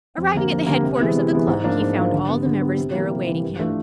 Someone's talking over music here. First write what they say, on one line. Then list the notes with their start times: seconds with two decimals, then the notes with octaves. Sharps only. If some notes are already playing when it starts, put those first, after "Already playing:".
Arriving at the headquarters of the club, he found all the members there awaiting him.
0.18 F2
0.34 D3 G3 A#3
0.50 F2
0.67 D3 G3 A#3
0.83 C3
1.00 E3 G#3 B3 E4
1.15 C3
1.32 E3 G#3 B3 E4
1.47 G#2
1.64 F3 A#3 D4 F4
1.80 G#2
1.96 F3 A#3 D4 F4
2.13 D3
2.29 G3 B3
2.45 D3
2.61 G3 B3
2.77 C3
2.94 E3 G3 A#3
3.10 C3
3.27 E3 G3 A#3
3.43 G2
3.59 E3 A3 D4 F4